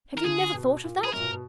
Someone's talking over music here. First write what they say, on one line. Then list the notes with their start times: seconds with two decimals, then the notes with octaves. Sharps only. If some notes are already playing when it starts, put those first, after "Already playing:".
Have you never thought of that?'
0.14 D#3 A#4
0.25 D3 G#4
0.54 B2
0.84 A#2
1.04 G#4
1.13 F#2 A#4
1.17 A#2
1.23 B2
1.33 B2